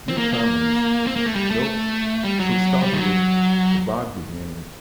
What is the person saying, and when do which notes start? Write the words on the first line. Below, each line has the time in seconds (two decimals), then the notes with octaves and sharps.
Newcomers, though, should start with "The Bad Beginning".
0.09 C4
0.18 A#3
0.33 A#3
1.07 C4
1.16 A#3
1.26 A3
1.35 G3
1.51 A3
2.24 G3
2.40 F#3
2.84 G3
2.93 D#3
2.98 F#3